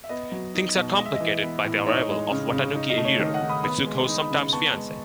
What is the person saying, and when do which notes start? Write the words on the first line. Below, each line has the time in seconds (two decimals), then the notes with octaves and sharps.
Things are complicated by the arrival of Watanuki Eijiro, Mitsuko's sometime fiance.
0.04 E5
0.09 B3 D#5
0.32 F#3
0.54 D#4
0.76 B2
0.98 G#3 D#5
1.06 E5
1.14 D#5
1.20 E3
1.43 B3
1.65 A2
1.86 D#4 C#5
2.09 G#3
2.31 C#3
2.53 C#3
2.75 D#4
2.90 D#5
2.98 A3
3.05 C#5
3.19 D#3 D#5
3.34 D#5 F#5
3.41 D#3
3.49 B5 D#6
3.63 B3 B5 D#6
3.86 G#3
4.08 D#4
4.31 C#3
4.53 B3 A5 C#6
4.75 G#3